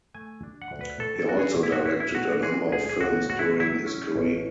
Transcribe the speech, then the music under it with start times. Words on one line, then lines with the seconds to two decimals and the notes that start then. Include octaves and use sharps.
He also directed a number of films during his career.
0.14 A3 G#5
0.43 D4
0.62 F#5
0.72 D2
0.81 B4
1.00 A2 A4
1.19 A4
1.29 E3 F#4
1.39 G#4
1.57 G#3
1.63 E4
1.72 F#4
1.86 A1 E4
2.00 E4
2.15 B2 F#4
2.33 F#4
2.43 G#3 G#4
2.72 C#2 G#4
2.89 G#4
3.01 C#2 F#4
3.29 A2 F#4
3.39 E4
3.58 F#3 E4
3.86 C#4
4.16 A1